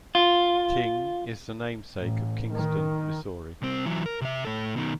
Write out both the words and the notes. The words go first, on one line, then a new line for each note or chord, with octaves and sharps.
King is the namesake of Kingston, Missouri.
F4
A1
D#3
C2 C4
E3 F#3
A#4
C3 E5
A2 A4
B2 D#3